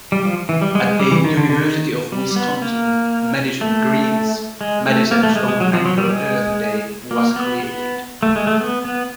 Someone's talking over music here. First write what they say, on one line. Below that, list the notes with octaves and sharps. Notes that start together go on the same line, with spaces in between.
At a University of Wisconsin, Madison Greens, Madison's own annual Earth Day was created.
G3
F3
E3
G3
G#3
G#3
G3
E3
D#3
D3
D3
D#3
G3
B3
A#3
A3
G#3
A3
A#3
A3
G#3
G#3
F#3
F3
F#3
G3
G#3
A#3
B3
B3
A3
G#3
A3
B3
B3